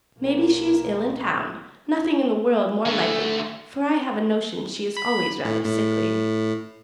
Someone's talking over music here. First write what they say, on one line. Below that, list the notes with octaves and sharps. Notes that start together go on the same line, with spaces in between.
May be she is ill in town; nothing in the world more likely, for I have a notion she is always rather sickly.
B1 A#3
D3 A3
B5
A2
A2